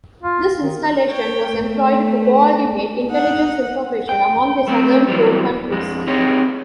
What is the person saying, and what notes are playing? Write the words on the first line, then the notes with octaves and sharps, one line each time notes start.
This installation was "employed to co-ordinate intelligence information among the southern cone countries".
F4
D#3
C#5 G5
A3
D#4 F#5
G5
A3 C4
E3 F#3 G3
F2 G#3
C4 D#4 G4 G#4 C#5